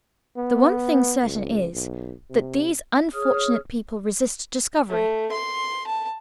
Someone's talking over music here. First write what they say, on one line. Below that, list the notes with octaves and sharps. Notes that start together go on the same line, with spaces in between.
The one thing certain is, that these unfortunate people resist discovery.
B3
C#2
B1
C3
G#4 C#5 D#6 F6
A3
C6
A5